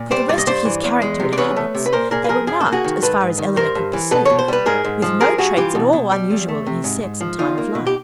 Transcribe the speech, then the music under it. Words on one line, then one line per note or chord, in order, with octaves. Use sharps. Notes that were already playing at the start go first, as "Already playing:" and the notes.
For the rest of his character and habits, they were marked, as far as Elinor could perceive, with no traits at all unusual in his sex and time of life.
Already playing: A#2
G3 C5 D5
G2 D5
D#5
G2 C5 D5
E3
E2
G#3
C3
D5
E2 B4 C#5
A3
C3
B4
A#2 A#4 C5
A#2 G#4 A#4
B4
F3 G#4 A#4
F#2 G#4
A4
A#3
F#4 G#4
D#3
G#2 A4 B4
G#2
D#3
G2 A#4 C5
G2
E3
B2 A4 B4
B2 C#5
C5
G3 B4
G#2 G#4 A#4
G#2
F3
G2 G#4 A#4
G2 F#4 G#4
E3 F4 G4
B2
B2
G3
E2
A3
C3
G#2
G#2
F3
E2 D#4 F4
A#3
B2
G4